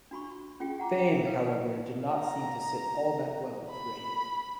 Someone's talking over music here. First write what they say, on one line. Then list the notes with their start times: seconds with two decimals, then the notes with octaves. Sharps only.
Fame, however, did not seem to sit all that well with Regan.
0.11 D4 F#4 B5 C#6
0.60 C#4 F4 G#4 G5
0.80 F#5 A#5 D6
1.11 E5
1.25 A4 B4 F5
2.12 A#5
3.70 B5